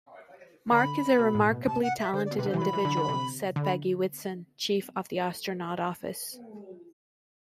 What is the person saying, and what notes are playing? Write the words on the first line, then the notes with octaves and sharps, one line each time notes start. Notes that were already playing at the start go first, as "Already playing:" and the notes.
"Mark is a remarkably talented individual," said Peggy Whitson, Chief of the Astronaut Office.
D3 B5
B2
A2
B2
C3 A5
F#5
E5
D3 C5
D5
B2
C3 B4
D3
C5
E3
C6
F#3 B5
E3
D3
D3
C3
D3
B5